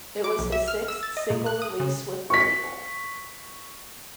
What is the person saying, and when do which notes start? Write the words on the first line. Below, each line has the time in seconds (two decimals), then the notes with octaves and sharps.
It was his sixth single release with the label.
0.24 D6
0.39 B1
0.52 E5
0.68 F6
0.88 E6
1.03 A6
1.17 D#5
1.30 A#2
1.46 F#6
1.62 D#6
1.80 C#3
2.30 C#6 B6